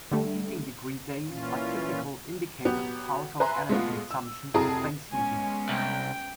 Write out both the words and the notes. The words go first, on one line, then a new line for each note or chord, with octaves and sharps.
Heating degree days are typical indicators of household energy consumption for space heating.
D3 G3 A3
A#2 E3 C#4 F4
F#3 B3 G4
B4 E5 G#5 A#5 C6
G#3 A3 B3 F4
E6
F1 F#3 E4 G#4 A5 A#5
G#3 B3 C#4 G#5
C2 G5